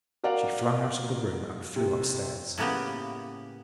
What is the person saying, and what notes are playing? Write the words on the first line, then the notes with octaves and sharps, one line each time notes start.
She flung out of the room and flew upstairs.
F#4 A#4 D5 F5 F#5
C3
A2 C#3 A#3 B3 G4